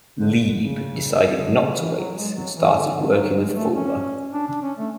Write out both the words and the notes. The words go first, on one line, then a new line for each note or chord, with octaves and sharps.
Leeb decided not to wait and started working with Fulber.
D3
C#3
D3
C#3
E3
F#3
G#3
F#3
E3
D3
D3
F#3
G#3
A3
C#4
D4
D4
C#4
A3